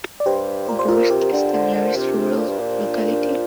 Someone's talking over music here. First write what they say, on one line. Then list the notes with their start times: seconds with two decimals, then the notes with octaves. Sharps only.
Birsk is the nearest rural locality.
0.20 D5
0.26 G2 G4 C5
0.68 A#2 A#4
0.79 C5
0.88 F4 A#4
1.10 C3 G4
1.22 A#4
1.32 D3 D4 G4
1.53 D3
1.75 D3
1.96 C3
2.38 A#2
2.48 G2
2.59 A#2